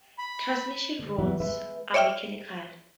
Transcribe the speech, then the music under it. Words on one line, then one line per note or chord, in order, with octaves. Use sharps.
Transmission routes are mechanical.
B5
D3
E3 F#3 G3 B3 E4
G#3 B4 E5
C#5 D5 E5 G5 F6